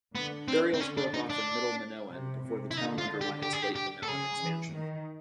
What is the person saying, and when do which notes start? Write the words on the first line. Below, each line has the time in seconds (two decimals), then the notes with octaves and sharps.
Burials broke off in Middle Minoan, before the town underwent its Late Minoan expansion.
0.15 D3 B3
0.48 C4
0.74 C4
0.80 C#4
0.97 D4
1.14 D#4
1.30 D4
2.11 C3
2.44 C3
2.71 E4
2.77 D3 D#4
2.98 F4
3.21 G4
3.43 G4
3.53 G#4
3.62 G4
3.76 G4
4.03 A4
4.08 C#3 G#4
4.40 E3
4.73 D#3